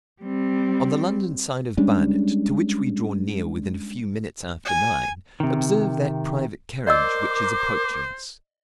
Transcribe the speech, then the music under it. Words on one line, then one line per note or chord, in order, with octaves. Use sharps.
On the London side of Barnet, to which we draw near within a few minutes after nine, observe that private carriage which is approaching us.
G3 C4
G3 G#3 C#4 D4
G#5
C3 D#3
A#4 C5 D5 D#5 D6 E6